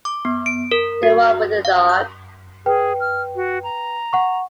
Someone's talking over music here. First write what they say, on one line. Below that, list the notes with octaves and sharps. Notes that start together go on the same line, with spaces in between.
The one with the dog.
D6
B3
D7
A#4
F#4
F5
G6
G#4 B4 G5
F6
F#4
A#5
F#5 C#6